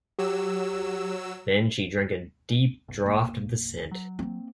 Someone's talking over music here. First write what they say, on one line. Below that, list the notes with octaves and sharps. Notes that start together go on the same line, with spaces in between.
Then she drank a deep draught of the scent.
F#3 G4 E6
F#1 B1
A#3
F#3
A#3 C4